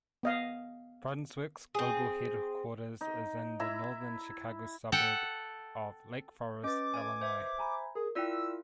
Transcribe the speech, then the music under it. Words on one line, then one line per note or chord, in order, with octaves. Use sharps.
Brunswick's global headquarters is in the northern Chicago suburb of Lake Forest, Illinois.
B3 D#5 F5
C4 G#4
D#4
E4 E5 A#5
A4 F#5 G5
C#4 B4 D#5 D6 A6
G#5 G#6
C5 E5 G#6
G#5 A#5 B5
G#4 A#4
E4 F4 A#4 D5 G5 E6